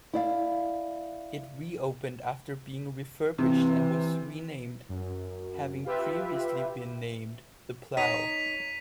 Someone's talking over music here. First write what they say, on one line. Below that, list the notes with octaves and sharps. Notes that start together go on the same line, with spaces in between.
It re-opened after being refurbished and was renamed having previously been named The Plough.
E4 D5 F5
C3 E3
F#2
F4 G4 B4 E5
D#4 C#5 B6 D#7 F7